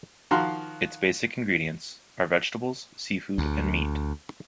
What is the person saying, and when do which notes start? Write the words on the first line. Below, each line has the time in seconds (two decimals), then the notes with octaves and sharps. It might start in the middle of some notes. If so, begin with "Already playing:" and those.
Its basic ingredients are vegetables, seafood and meat.
0.31 D#3 F3 F#4 F5 A#5 C6
3.38 D2